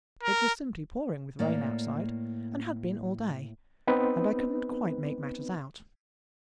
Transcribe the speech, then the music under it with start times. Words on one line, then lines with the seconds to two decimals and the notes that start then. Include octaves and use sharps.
It was simply pouring with rain outside, and had been all day; and I couldn't quite make matters out.
0.23 A#4
1.39 A2 A#3 D5
3.87 B3 C4 D#4 B4